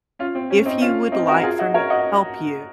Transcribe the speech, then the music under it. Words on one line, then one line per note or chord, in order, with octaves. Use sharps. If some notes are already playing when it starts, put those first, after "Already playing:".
If you would like for me to help you,
C#4 F4
C4
C#4
C4 D#4
C#4 F4
C4 D#4
F#4 A#4
F4 G#4
D#4 F#4
A#4 C#5
D#5 F#5